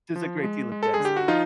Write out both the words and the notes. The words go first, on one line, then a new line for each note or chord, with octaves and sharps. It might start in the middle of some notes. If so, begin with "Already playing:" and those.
There's a great deal of density.
F3
G#3
G#3
A4
G#4
D3
G4
F#4
F3 D#4 F4